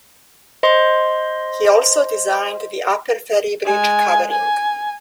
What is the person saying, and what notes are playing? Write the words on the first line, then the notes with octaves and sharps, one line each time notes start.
He also designed the Upper Ferry Bridge covering.
C5 D#5 C6
G#3 G#5
G#5